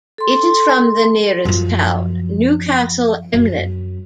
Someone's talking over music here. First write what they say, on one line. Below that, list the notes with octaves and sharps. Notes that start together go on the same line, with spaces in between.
It is from the nearest town, Newcastle Emlyn.
A4 C6
F#2 F3
F#2